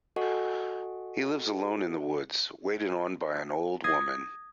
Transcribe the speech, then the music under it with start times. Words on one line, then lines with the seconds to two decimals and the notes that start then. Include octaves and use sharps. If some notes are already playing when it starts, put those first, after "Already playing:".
He lives alone in the woods, waited on by an old woman.
0.16 F#4 A4 D#5 F#5 G#5 C#6
3.84 D#6 G#6 A#6 C7